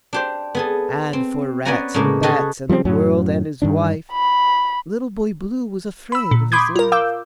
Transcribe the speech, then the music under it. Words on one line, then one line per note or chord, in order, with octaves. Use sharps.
And for rats and bats and the world and his wife, Little Boy Blue was afraid of his life.
D4 G4 C5
B3 G#4 A4
C4
B3 C#4 D5 F#5 G#5 A#5
A2 C#3 G#3 A#3
F#4 G#4 A4 B4 D#5 F5
F3 G3 B3 C4
F#2 A2 F#3 C#4
G2 D#3 D4
B5
B5 E6
A#2
B5 C6 D6 D#6 G6 G#6
F4 A#4
F5 D6 E6 G6